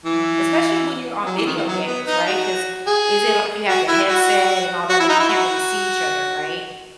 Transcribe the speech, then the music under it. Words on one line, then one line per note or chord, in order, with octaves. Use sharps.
Mhm, especially when you're on video games, right? 'Cause is it like you have the headset and all that, but you can't really see each other, right?
E3
F#3
E3
D#3
E3
F#3
B3
D#4
F#4
G#4
F#4
E4
F#4
F#4
E4
D#4
E4
F#4